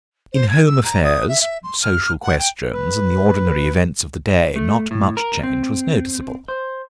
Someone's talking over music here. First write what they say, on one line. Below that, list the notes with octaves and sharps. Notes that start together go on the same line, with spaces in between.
In home affairs, social questions, and the ordinary events of the day not much change was noticeable.
C5
G#6
E6
A#5
D#6
E5
E5
C6
F6
F#5
G5
B4
A3
A2
A#4
C4
C5